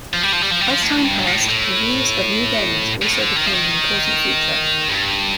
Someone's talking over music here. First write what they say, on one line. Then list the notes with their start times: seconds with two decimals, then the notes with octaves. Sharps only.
As time passed, reviews of new games also became an important feature.
0.13 F3
0.23 G3
0.33 F3
0.42 G3
0.52 F3
0.61 G3
0.70 F3
0.82 A2
1.04 G2
1.27 A2
1.49 A2
3.02 A2
3.19 D3
3.36 D#3
3.46 F3
3.53 D#3
4.89 G2